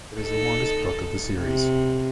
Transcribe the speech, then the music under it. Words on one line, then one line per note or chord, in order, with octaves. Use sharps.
It is the longest book of the series.
D#4 A4
C3